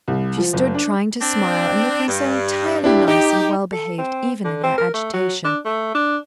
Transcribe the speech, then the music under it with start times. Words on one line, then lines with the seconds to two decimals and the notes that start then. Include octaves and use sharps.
She stood trying to smile, and looking so entirely nice and well-behaved even in her agitation.
0.08 C2
0.38 F3
0.53 F#1
0.74 D4
1.21 C4 D4
2.08 G2
2.84 D4 E4 G4
3.08 D#4 G4
3.73 A4
3.98 C4
4.44 D3
4.63 C4
4.78 A#4
4.94 A3
5.14 F#3
5.44 D4
5.65 A3
5.95 D4